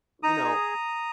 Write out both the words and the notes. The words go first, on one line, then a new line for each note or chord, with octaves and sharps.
You know,
D#4 A#5 D#6
G#4